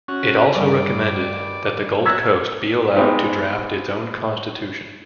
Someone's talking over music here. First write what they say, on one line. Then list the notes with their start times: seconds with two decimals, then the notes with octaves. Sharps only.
It also recommended that the Gold Coast be allowed to draft its own constitution.
0.08 C#4 F#4
0.55 G2 D#3 D5
2.06 F#4 A#4 C#5 E6 G#6 B6
2.96 G#3 B3 C4 D#4 F4 G4